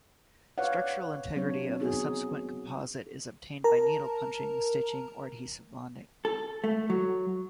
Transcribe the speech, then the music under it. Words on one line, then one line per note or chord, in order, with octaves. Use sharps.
Structural integrity of the subsequent composite is obtained by needle-punching, stitching or adhesive bonding.
B4 C#5 D5 F5 F#5
F#3 C4 D4 C#5
B3 D#4 F#4 G#4
A#4 A5 A#5
A4
A3
F#3